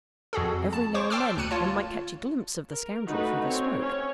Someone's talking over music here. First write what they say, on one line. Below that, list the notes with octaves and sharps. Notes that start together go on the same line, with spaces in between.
Every now and then one might catch a glimpse of the scoundrel through the smoke.
F2 F#4 G#4 A4
A5
C5 C#5 C#6 D6
G5 A5 C6 D6 E6 F6
D2 F#6 C#7 D#7
F4 C#5 A5
A#4
A3 D#4 F#4 B4
C4 C#5
C#4 C#5